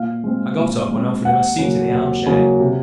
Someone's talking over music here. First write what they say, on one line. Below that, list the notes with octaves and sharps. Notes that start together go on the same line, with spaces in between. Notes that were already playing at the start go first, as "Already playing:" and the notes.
I got up and offered her my seat in the arm-chair.
Already playing: A#2 F5
G#3 C4
A#2
G#3 C4
D#2 F#5
C#3 F#3 A#3
D#2
C#3 F#3 A#3
C3